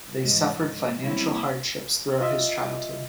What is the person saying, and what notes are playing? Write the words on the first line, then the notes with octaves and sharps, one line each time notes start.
They suffered financial hardships throughout his childhood.
G#2 C#3 E3
G#2 F3 G#3
G3 G#3 A#3 C4 C#4 E4
F4 D#5 E5